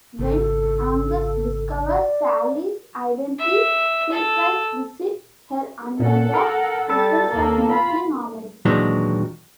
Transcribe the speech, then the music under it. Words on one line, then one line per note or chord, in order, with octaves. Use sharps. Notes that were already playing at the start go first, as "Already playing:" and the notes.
When Angus discovers Sally's identity, Beatrice visits her under the pretense of making amends.
G#1 C#3 A4
D5
E5
A4
A#2 A4 F#5
A#4
G3 A4 A6
D#2 A#3
F4 B5
D#2 A#2 E3 F#3 G#3 D4